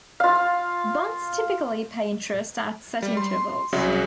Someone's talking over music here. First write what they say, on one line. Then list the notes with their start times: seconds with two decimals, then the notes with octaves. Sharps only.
Bonds typically pay interest at set intervals.
0.20 F4 F5
3.02 G3
3.17 C6
3.73 C2 C#3 F#3 F#4 E5